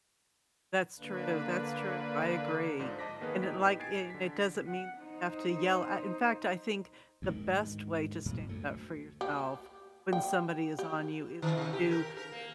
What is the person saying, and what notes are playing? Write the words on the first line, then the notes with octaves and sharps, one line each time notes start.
That's true, that's true, I agree, and it, like, and it doesn't mean you have to yell, ah in fact, I think the best way to stand up for yourself when somebody is on you is to
D3 A#3 D4 B4
G#2 D3 F3 C5 D5
D#5 A5 D6 A#6 B6
D#3 A#3 B3 G#4 B4 D#5
A2 D#4 G4 B6
G#5 G#6 A6 C7 D7
D3 B6
F#5
D#4 C5
D2 G#2 D#3
F#2 A#2
D2 A3
G4
G5
G4
D#3
C3
G4
A#4
A#4
A#3